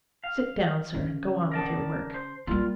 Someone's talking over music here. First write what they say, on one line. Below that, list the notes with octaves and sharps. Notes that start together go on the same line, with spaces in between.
"Sit down, sir, and go on with your work."
F5
C#3
A#4 D5 A5
C5
G3 A#3 F4